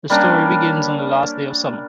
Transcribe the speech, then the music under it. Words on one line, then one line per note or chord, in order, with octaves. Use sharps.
The story begins on the last day of summer.
G3 A#3 C#4 D4